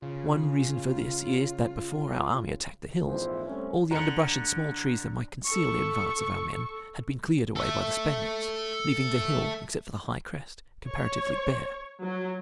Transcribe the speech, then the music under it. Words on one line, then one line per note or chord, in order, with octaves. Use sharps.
One reason for this is that before our army attacked the hills all the underbrush and small trees that might conceal the advance of our men had been cleared away by the Spaniards, leaving the hill, except for the high crest, comparatively bare.
C#3 F4
A#1 F2 G#2 E3 E4 C5
G3 A3 C4 C#4
D3 A#5 C#7
A4 C#6
A4 E5
C#5
F#3